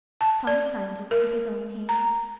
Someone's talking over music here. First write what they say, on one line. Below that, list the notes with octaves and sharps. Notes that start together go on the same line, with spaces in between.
Tom signed it with his own hand.
A5
D5
A#4
A#5